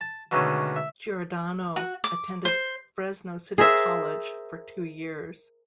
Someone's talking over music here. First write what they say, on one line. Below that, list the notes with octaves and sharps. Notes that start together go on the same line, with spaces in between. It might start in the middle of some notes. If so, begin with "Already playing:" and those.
Giordano attended Fresno City College for two years.
A5
B2 D3 D#3 G#3 A3 C#4
E5
F#4
D6
C5
G#4 A#4 C5 E5